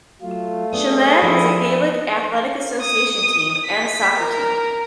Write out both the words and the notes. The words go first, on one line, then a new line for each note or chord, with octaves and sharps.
Shillelagh has a Gaelic Athletic Association team and a soccer team.
F#3 A3 F4
B3 D4 G#4 D#6
F3 E4
D#6
B6
A#4